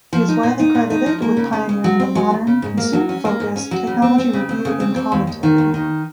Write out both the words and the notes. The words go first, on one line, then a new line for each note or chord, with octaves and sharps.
He is widely credited with pioneering the modern, consumer-focused, technology review and commentary.
F3
D#4
A#2
D#4
A#2
D#4
F3
A#3
C#3
C#3
C#3
F#3
C4
F#3
D#2
C#3
G#2
A#3
F#3
C#4
A#3
G#2
C#4
F#3
C#3
C4
C4
C#3
C4
C#3
C4
C4
D#2
D#2
D#3
D#2
D#3